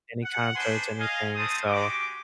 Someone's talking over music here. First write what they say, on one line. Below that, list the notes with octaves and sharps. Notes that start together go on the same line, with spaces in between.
any concerts, anything so,
F#5
D4 G#4 B4 C5 G#5 C6
D#5 F5 G#5
A3 C4 C5 A5 D#6
G#3 F#4 G4 D6